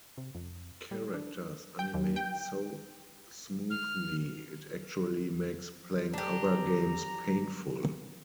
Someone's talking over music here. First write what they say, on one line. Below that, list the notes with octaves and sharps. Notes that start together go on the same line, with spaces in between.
Characters animate so smoothly it actually makes playing other games painful.
C3
F2
G3
D4
G5
D#2
G5
F6
D4 G4 A#5